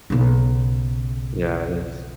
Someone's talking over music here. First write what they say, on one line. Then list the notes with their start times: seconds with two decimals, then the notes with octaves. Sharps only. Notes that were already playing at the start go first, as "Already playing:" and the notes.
Yeah, it is.
0.10 B1 C#3